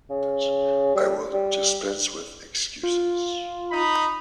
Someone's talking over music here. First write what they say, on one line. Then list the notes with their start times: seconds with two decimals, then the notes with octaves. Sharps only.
I will dispense with excuses.
0.10 C#3
0.95 G3
1.33 G3
2.83 F4
3.70 D#4 B5